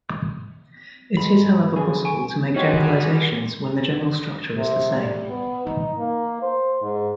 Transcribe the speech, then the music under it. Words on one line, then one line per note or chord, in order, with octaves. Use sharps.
It is however possible to make generalizations when the general structure is the same.
G#2 B5
D3 G#4
G#5 C#6 D7
G3 D#4 F#4 G#4 C#5 G5 C6
C3
G3
B3
D#4
A#3
C5
G#2